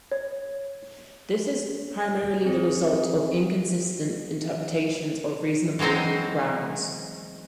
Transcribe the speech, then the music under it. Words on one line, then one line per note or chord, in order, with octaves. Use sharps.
This is primarily the result of inconsistent interpretations of reasonable grounds.
C#5
C4 G#4
E3 F#3 G#3 C4 D#4